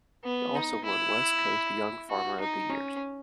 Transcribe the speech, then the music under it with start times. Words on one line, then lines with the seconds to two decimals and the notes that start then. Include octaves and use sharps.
He also won West Coast Young Farmer of the Year.
0.24 B3
0.55 D#4
0.85 E4
2.09 F#4
2.40 D#4
2.70 C#4